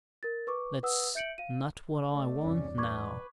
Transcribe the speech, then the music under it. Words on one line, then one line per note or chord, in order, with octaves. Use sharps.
That's not what I want now.
A#4 A6
B4 C#6 D6
B4 F#5 D#6 E6
E5 G6 C#7 D7 F#7
F5 D#7
A3 D5
E2 G2 C3 C#4 D4
B4 C#6 D6 G#6